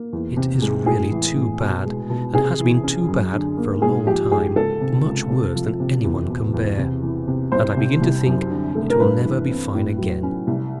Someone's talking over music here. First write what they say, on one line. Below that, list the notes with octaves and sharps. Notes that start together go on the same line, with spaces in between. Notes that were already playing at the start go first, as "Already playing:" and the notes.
It is really too bad, and has been too bad for a long time, much worse than any one can bear, and I begin to think it will never be fine again.
Already playing: A#3
E2
C3
G#3
A2 G#4
E3
A2
B2
G#3
B2
C3 G#4
E3
C#4
F#2
D3
A#3
G#2 G#4
F3 G4
G#2 G#4
C#2 A4
C3
C#2
C3
F3
C3
E2
B2
E2
C3
E3
C3
C2 C5
C3
C2
F#2
D3
A3
A#4
G2 B4
E3
C4
A2
F#3
C#4
C2